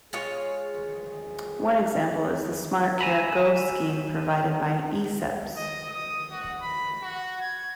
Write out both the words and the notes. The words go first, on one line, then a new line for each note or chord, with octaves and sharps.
One example is the "Smartcare go" scheme provided by Ecebs.
G#3 F4 G#4 C#5
E5 G#5 A#5 B5
D#5
D#6
F#4
B5
F#4
G#6